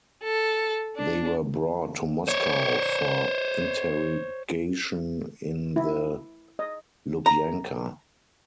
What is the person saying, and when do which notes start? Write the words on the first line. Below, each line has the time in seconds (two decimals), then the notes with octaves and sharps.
They were brought to Moscow for interrogation in the Lubyanka.
0.23 A4
0.95 D4
2.28 C5 C#5
5.76 E4
6.59 D#5
7.26 A#5